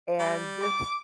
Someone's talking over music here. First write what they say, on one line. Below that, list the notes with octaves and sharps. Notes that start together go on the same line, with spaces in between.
and this
G3
D6